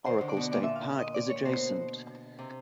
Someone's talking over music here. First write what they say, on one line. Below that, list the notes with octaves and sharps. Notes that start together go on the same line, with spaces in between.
Oracle State Park is adjacent.
D#3 C5
D3
D5
B2
A#2 D5
E5
F5
D#5
D5
C#5
B2 C5
C3